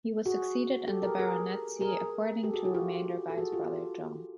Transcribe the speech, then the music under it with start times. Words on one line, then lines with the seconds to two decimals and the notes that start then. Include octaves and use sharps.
He was succeeded in the baronetcy according to remainder by his brother John.
0.26 F#4 G#4
0.87 G4 A4
1.03 G#4 A#4
1.18 G#4 A#4
1.81 G#4 A#4
2.43 G4 A4
2.54 F#4 G#4
2.64 E4 F#4
2.74 F4 G4
3.30 A4
3.38 F#4 G#4
3.52 F4 G4